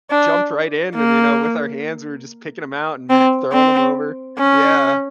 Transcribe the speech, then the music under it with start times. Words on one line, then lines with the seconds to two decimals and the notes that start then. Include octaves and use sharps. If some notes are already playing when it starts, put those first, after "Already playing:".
jumped right in and, you know, with our hands, we were just picking 'em out and throwing 'em over. Yeah.
0.10 D4
0.96 A#3
3.10 C4
3.53 C4
4.39 C#4